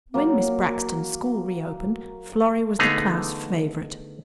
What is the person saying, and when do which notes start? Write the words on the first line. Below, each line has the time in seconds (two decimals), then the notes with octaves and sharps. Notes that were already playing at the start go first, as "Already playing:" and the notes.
When Miss Braxton's school reopened Florrie was the class favourite.
0.14 F#3 A#3
2.79 D3 A3 B3 D#4 G#4 F5